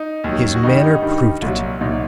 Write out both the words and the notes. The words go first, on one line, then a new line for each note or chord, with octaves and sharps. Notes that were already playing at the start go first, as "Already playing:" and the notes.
His manner proved it.
Already playing: D#4
D#2 D#3 F#3
F#4
G2 D#3 G3 D#4
D#4
G2 D#3 G3
C2 A#2 F#3
C2 A#2 F#3 D#4